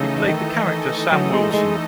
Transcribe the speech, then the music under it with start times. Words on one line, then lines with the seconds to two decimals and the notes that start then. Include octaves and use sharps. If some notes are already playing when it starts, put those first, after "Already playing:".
He played the character Sam Wilson.
Already playing: C#3 E3 A3 D#4 A4 D#5
0.28 D#3
1.12 F#3
1.33 G#3
1.54 G#3